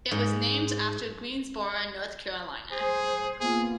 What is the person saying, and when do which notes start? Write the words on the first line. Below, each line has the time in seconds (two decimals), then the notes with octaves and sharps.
It was named after Greensboro, North Carolina.
0.11 G#2
2.72 G#4 C5
3.41 A#3 B3 F4 G#4